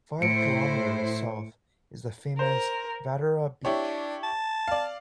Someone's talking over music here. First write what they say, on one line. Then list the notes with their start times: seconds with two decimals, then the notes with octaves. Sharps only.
Five kilometers south is the famous Vatera beach.
0.22 A2 E4 C5 C#7 D7
2.39 A#4 C5
3.65 D4 E4 G4 C#5
4.23 A5
4.68 D5 F5